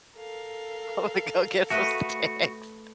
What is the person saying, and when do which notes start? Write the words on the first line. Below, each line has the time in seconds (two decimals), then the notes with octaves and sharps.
"I'm gonna go get some snacks."
0.16 A4 A#4 F5
1.70 A3 F#4 B4 D#5